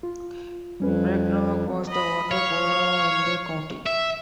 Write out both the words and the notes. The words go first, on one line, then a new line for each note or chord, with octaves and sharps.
Brecknock was the only borough in the county.
F4
F2 G3 C#4 B4
D#5 B5
C#5 F5
E5